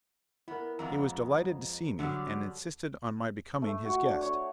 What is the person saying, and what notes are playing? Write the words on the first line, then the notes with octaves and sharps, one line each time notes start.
He was delighted to see me, and insisted on my becoming his guest.
B3 E4 A#4
F2 G#3 B3 A#5
D3 F#3 G3
A3
F#4
D4
C#5